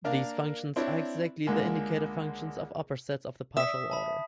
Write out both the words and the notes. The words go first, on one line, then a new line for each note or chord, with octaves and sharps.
These functions are exactly the indicator functions of upper sets of the partial order.
A#3 D4 A#4 F5
C4 D4 E4 C#5
C#2 D3 G#3 A#3
E5 D#6 B6
A5 B5